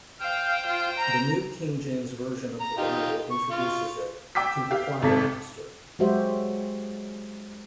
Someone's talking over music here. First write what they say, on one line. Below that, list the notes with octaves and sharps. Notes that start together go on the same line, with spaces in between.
The New King James Version of the Bible introduces it: To the choirmaster.
C5 F5 G5 G6
F4
A#5
A#5
D#4 F4 G4
C#6
F4 C#6
G5 D6 E6 B6
G4 F5
G#1 C3 A4 B6
F#3 G#3 F#4 G4 C5 E5